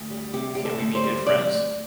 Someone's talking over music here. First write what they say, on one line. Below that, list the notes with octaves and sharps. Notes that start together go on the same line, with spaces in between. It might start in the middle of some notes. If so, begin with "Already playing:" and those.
Can’t we be good friends?
Already playing: D2
G3
C3 G4
D2 G4
A4
D2
C5
G3
C3 D5
D2